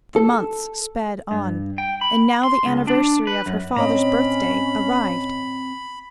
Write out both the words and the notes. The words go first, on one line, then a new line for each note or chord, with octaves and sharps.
The months sped on, and now the anniversary of her father's birthday arrived.
A4
G2
G5
B5
C6
C#2
D4
B4
F#2
A2 C4 C#4 C#5 D#5 A#5 B5